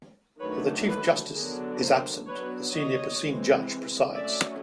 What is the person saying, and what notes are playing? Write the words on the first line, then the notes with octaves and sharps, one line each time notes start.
If the Chief Justice is absent, the senior puisne judge presides.
D#3 F#3 A3 D4 B4 C#5
A4 B4
D3 F#3 B3 D4 G#4 A#4
A#4 C5
F#3 B3 D4 B4 C#5
C#5 D#5
E3 G#3 C4
F#3 A3 C#4 D5 E5